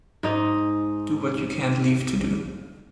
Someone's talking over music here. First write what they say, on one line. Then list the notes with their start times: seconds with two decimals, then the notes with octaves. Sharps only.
Do what you can’t leave to do.
0.23 G#2 D#4 D#5